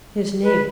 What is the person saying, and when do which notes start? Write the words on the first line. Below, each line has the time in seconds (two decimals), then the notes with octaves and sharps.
His name?
0.43 B4